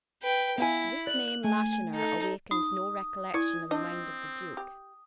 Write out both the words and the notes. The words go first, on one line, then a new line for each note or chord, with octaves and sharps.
This name Lacheneur awakened no recollection in the mind of the duke.
B4 G5
B3 E4 F5 G#5
D5 F#6
A3 G#5
D#4 A4
D#4 D#6
E4 D5 G#5
C4 D4 D#5
G4